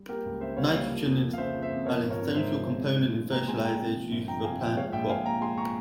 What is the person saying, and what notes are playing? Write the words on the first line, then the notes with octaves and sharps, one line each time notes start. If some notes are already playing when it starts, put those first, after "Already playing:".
Nitrogen is an essential component in fertilizers used for plant crops.
Already playing: G3
A#3 G4 A#4
C#2
C#3 C5 E5
G3 C#5 F5
A#3 C#5 F5
F3
F2
F2
F5
C#3 C5 E5
F3
C5 E5
F2
F3 A#4 C#5
G#1
A#4 C#5
G#1
G#2 C5 E5
F3
G#1
G#3
A#1
A#1
A#2 G5 A#5
G#3 G#5 C6
A#1 G5 A#5
C3
F3
G1
F2 G5 A#5
C3 F5 G#5
F3 E5 G5
G#3 C#5 F5
F5
A#1 E5 G5
A#1 F5 G#5
A#2 G5 A#5
G#3 G#5 C6
A#5 C#6